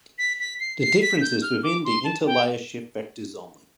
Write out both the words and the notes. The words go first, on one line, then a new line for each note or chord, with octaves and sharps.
The difference is within the interlayer shift vectors only.
B6
B6
C7
C7
B6
G6
F6
D6
C6
A5
G5